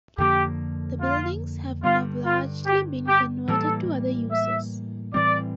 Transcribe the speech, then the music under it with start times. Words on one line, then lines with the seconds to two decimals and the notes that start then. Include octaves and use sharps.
The buildings have now largely been converted to other uses.
0.18 F2 D3 F3 A#3 G4
1.01 F4
1.83 G2 D3 G3 F4
2.25 F4
2.66 G4
3.07 G4
3.48 A2 E3 G3 A#3 A4
4.31 E5
5.14 A2 E3 G3 C4 D5